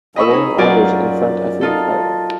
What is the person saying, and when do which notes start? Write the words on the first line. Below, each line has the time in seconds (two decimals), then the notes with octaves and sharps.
A woman orders in front a food cart.
0.16 D#5 B5 C#6 E6
0.31 D#4 G#4
0.58 F#2 F4 F#4 A#4 D5 G#5
1.61 D#4 F4 A4